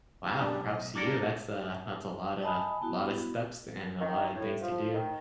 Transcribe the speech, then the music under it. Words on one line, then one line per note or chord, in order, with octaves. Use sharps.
Wow, props to you, that's, uh, that's a lotta a lotta steps, and a lotta things to do.
B1 F#2 G3 D4
D#5
A#3 D4 A4 A#4
D#5 G#5 A5 B5 D#6
B3 E4 F#4
D#3
A2
F3
D#3